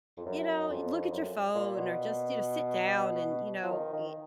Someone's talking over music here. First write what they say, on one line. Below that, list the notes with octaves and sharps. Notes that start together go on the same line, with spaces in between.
you know, eh, look at your phone, or just, you know, sit down, and you know, e
F2
F#2
F2
F#2
A#2
B2
F3
D#3
D#3